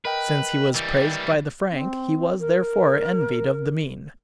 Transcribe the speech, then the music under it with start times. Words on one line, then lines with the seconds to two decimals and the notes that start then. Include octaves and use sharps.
Since he was praised by the frank, he was therefore envied of the mean.
0.05 A#4 B4 D#5 G5
0.75 E3 G3
1.70 C4
2.39 A#4